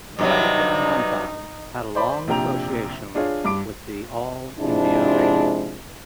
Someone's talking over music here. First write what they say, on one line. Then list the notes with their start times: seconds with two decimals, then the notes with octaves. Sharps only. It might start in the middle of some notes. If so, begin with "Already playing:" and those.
Vaidyanathan, had a long association with the All India Radio.
0.19 G2 C3 F#3 D#4
1.95 C5 D5 B5
2.27 A#1 C3 D4 G5 A#5 F7
3.15 D4 F4 G#4 C#5
3.45 G2 D6 D7
4.60 G#2 C3 F3 G#3 D4 E4